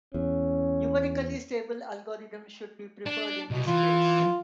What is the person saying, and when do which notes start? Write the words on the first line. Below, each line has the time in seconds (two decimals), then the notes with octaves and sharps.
Numerically stable algorithms should be preferred in this case.
0.14 E2 C#4
3.06 D4
3.51 C2 B2
3.67 E3 F4